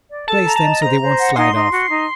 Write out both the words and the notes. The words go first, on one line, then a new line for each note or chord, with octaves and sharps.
Place them so they won't slide off.
D5
A4 A5
A#5
A5
D#5
C5 A#5
C5
F#5
D#4 C6
D#4
F#4
D#4